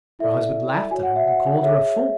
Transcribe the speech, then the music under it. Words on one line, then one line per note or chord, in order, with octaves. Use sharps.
Her husband laughed at her, and called her a fool.
E4 A4 D5 E5
F#4 C#5 G#5
F#5
E5
F#5
G#4 C#5 E5